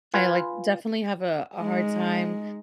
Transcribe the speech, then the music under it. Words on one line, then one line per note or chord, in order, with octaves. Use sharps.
like definitely have a a hard time
F4 B4 G#5
G#3 D#4